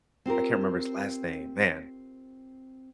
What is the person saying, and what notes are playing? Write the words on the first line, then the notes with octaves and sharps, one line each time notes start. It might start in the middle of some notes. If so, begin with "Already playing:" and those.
I can't remember his last name. Man.
C4 F4 G4 A#4